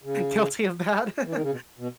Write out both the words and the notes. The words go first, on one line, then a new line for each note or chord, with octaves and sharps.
guilty of that.
C#3
E3
D#3
C#3
B2
B2